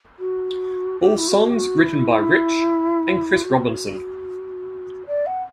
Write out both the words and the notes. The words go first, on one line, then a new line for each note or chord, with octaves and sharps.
All songs written by Rich and Chris Robinson.
F#4
G4
E4
F#4
G4
F#4
E4
F#4
D5
F#5